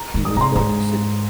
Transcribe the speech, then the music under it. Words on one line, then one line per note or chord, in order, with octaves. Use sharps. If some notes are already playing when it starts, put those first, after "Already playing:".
He was born in Sydney.
Already playing: A#5
D#3
D#6
C3 A#5 C6
G#2 A#5